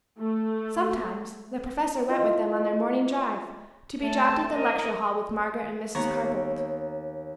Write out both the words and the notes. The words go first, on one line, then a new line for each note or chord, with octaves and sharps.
Sometimes the professor went with them on their morning drive, to be dropped at the lecture-hall with Margaret and Mrs. Carr-Bolt.
A3
E4 F4 D#5 E6
A3 A5
A#4 D#5
D#2 B3 C#5 A#5